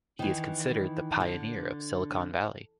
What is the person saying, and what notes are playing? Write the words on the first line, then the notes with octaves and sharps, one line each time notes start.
He is considered the pioneer of Silicon Valley.
D#3 E3
D3